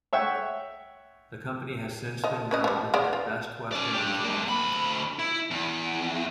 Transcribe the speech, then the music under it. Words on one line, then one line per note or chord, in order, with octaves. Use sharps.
The company has since been known as Best Western International.
C#5 E5 F#5 G5
F3 D#5
C#4 B4 D#5
F3 G3
G#3 B3 D5
F4
C#4 D5
D4 G4
G#3 A#3
D2 B5
E4
E2